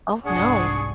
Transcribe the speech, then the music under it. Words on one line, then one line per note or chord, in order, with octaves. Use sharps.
Oh, no.
F1 C2 G#2 D4 G#4 F#5 C#6